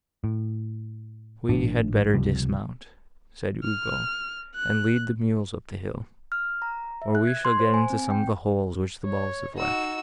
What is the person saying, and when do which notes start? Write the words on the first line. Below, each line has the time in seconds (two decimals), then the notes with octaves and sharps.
'We had better dismount,' said Ugo, 'and lead the mules up the hill, or we shall get into some of the holes, which the balls have left.
0.24 A2
1.49 G#1 A2 F3 D4
2.14 C#2 C3 F3 G3
3.63 F6
4.55 F#6
6.32 F6
6.62 A#5
7.02 E5
7.15 F#6
7.27 G#6
7.45 C6
7.60 C5
7.74 G#5
7.90 C4
8.10 G5
9.06 C#5
9.56 D#4 F#4 E6